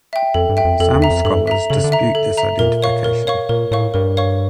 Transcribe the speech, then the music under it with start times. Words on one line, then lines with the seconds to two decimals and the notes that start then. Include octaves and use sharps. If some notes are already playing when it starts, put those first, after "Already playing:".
Some scholars dispute this identification.
0.13 E5 G5
0.34 F2 A4
0.49 G2
0.57 E5 G5
0.65 F2
0.80 F2 A4
0.95 E2
1.02 E5 A#5
1.10 F2
1.25 G2 A4
1.47 E5 A#5
1.70 C#3 A4
1.84 D3
1.92 E5 A#5
2.15 A4
2.37 E5 A#5
2.59 A#2 A#4
2.82 C#5 F5 C#6
3.04 A#4
3.27 C#5 F5 C#6
3.49 A#2 A#4
3.71 A2 C#5 F5 C#6
3.94 G2 A#4
4.17 C#5 F5 C#6